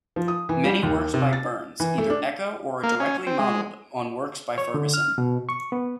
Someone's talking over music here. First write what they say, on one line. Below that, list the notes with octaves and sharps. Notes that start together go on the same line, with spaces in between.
Many works by Burns either echo or are directly modelled on works by Fergusson.
F3
D#6
E3
G3
D#2
C3
A6
E3
A3
D4
A#3
C#4
C4
G#3
C#5
D3
F6
B2
C#6
B3